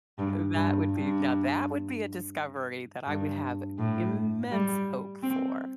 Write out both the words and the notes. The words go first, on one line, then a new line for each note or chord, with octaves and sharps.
That would be Now, that would be a discovery that I would have immense hope for.
G2
G2
G2
G2
A2
G3
C4